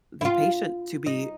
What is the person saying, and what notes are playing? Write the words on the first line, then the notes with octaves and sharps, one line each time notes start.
the patient to be
E4
F4
D#4